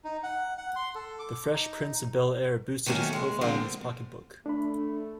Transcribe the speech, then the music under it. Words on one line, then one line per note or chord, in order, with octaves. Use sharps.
"The Fresh Prince of Bel-Air" boosted his profile and his pocketbook.
D#4
F#5
F#5
C6
A4
D6
D#4
D#3 F#3 A3 A#3 C#4
G#3
D3 F3 G#3 A#3 C4
A3 D4 B5